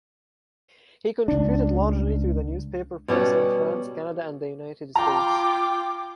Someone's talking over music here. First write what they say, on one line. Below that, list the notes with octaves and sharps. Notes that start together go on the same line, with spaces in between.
He contributed largely to the newspaper press in France, Canada, and the United States.
C#2 D4
B2 G3 C#4 F#5
F4 G5 A#5 D6